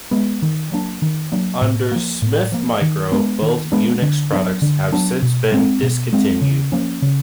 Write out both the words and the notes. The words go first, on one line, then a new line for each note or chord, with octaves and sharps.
Under Smith Micro, both Unix products have since been discontinued.
G#3 B3
D#3
F#3 A#3 D4
D#3
F#3 A#3 D4
A2
F3 A#3
A2
F3 A#3
D#3
G#3 B3 D4
D#3
G#3 B3 D4
D3
F#3 B3 D4
D3
F#3 B3 D4
B2
G#3 C4
B2
G#3 C4
C#3
F3 A#3 C#4
C#3